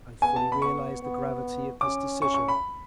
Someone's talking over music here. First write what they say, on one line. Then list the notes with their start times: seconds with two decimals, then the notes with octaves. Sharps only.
I fully realise the gravity of this decision.
0.22 B3 G#5
0.36 A5
0.52 B5
0.62 B3 C#6
1.03 B3
1.81 C#4 D6
2.22 C#4 C#6
2.34 C#6
2.48 B5